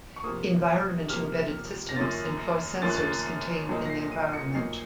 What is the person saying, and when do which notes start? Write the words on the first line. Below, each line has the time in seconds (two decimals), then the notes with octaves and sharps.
Environment-embedded systems employ sensors contained in the environment.
0.16 C#6
0.24 C3 F3 A#3 D#6
1.09 C3 F3 A#3 F6
1.89 A#6
1.96 F#2 D#3 A#3 C#4 F4 A6
2.82 F#2 D#3 A#3 C#4 F4 A6
2.90 F#6
2.97 A6
3.69 A#2 F#3 A#3 D#4
3.86 A#6
3.90 C7
4.11 D#7
4.33 C#7
4.55 A#2 F#3 A#3 D#4 C7